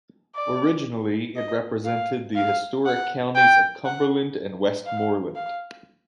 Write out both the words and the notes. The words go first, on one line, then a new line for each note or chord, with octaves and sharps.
Originally, it represented the historic counties of Cumberland and Westmorland.
D5
D#5
F5
F5
F#5
G5
F#5
F5
F5